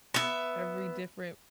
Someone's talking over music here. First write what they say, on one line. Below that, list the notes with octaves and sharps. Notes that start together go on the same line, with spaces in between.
every different
B3 E5